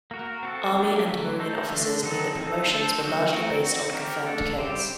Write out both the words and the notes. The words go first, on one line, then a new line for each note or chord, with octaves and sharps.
Army and marine officers knew that promotions were largely based on confirmed kills.
A#3 F#4 A#4
C4 F#4 A4
F#3 A#3 D4 G4
D3 F#3 A3
A3 D#4 A4 C5
D3 A3 D4
D3 F#3 C4 D#4 A4
C4 D#4 A4
A3 D4 A4 C5
D3 F#3 A#3 F#4 C5
A3 C4 F#4 A#4
C4 D#4 F#4
C4 G4 A#4
A3 D4 A4
G3 C4 G4 C5